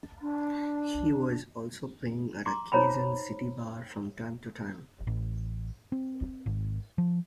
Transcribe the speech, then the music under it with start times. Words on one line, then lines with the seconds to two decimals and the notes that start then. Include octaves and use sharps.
He was also playing at a Quezon City bar from time to time.
0.22 D4
2.46 A#5 C6 D6
2.72 D#4 C5 C#5 A#5 B5
5.07 A1
5.92 C4
6.46 G#1
6.98 F3